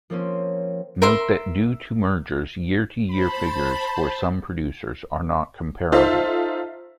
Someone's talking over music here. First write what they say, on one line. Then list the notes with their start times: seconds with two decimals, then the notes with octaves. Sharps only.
Note that due to mergers, year-to-year figures for some producers are not comparable.
0.10 F3 A#3 C4 C#4
1.02 A#4 E5 C6
3.10 C5 A5 B5
5.92 D#4 F4 A4 C5 E5